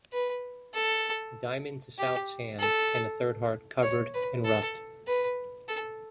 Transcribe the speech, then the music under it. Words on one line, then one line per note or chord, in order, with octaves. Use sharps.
A diamond to South's hand, and a third heart covered and ruffed.
B4
A4
G4
A4
C#5
B4
A4
B4
A4